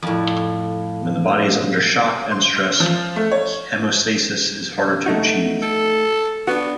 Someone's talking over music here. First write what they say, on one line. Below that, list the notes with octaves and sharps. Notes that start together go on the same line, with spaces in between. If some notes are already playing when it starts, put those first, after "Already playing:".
When the body is under shock and stress, hemostasis is harder to achieve.
F2 A2
C6
F6
F3
A3
C#5
A3 D#4 F#4
A4
B3 D4 F#4